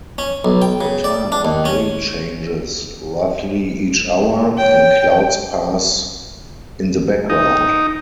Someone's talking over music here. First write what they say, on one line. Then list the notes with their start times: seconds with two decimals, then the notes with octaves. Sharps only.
The time of day changes roughly each hour, and clouds pass in the background.
0.18 C#4
0.45 B1
0.62 G5
0.81 C#3
1.04 D5
1.32 D4
1.45 D#2
1.65 C#4
4.58 C#5 G5
7.30 D#4